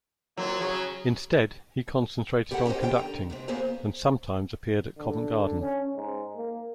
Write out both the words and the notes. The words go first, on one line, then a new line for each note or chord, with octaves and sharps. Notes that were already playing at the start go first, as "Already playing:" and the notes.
Instead he concentrated on conducting, and sometimes appeared at Covent Garden.
F2 F#3 A#3
C#3 F#3 G#4
E4 G4 A4 A#4 F#5
C#4 G4 A#4 C5 D#5
B2 D#3 G4 B4 G5
D3 A#5
G#2 C3 C4
C#3 A#3 B3 G#4 C5 A#5
D3
C#4
G#2
A#3